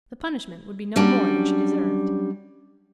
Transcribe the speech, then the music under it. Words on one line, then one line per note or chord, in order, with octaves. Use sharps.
The punishment would be no more than she deserved.
F#3 G3 C#4 D4